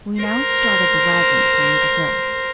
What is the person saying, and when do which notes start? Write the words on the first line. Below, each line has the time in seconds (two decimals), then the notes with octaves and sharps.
We now started the wagon down the hill.
0.21 A#4 C5